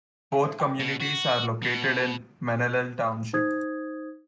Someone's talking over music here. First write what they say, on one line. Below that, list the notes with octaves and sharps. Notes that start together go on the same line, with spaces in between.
Both communities are located in Menallen Township.
B2
F#4
B2
D#4 C5 D#6 G#6